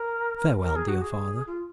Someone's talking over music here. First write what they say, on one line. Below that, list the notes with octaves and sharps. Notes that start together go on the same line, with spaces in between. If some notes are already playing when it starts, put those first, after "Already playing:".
Farewell, dear father!
Already playing: A#4
A#4
G#4
F#4
G#4
F4